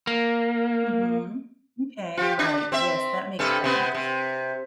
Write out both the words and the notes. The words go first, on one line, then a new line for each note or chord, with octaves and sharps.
Mhm. M'kay, right, yes, that makes sense.
A#3
F4 G4
D4
C4 E5
G2 C3 A4
C3 B3
C3